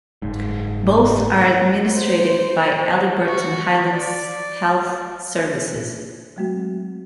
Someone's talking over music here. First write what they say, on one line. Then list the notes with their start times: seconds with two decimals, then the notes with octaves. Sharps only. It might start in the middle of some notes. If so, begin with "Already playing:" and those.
Both are administrated by Haliburton Highlands Health Services.
0.22 F#1 G#2
1.88 C5
3.26 F#4
3.92 D5
6.36 F#3 G#3 A3 C4 F#4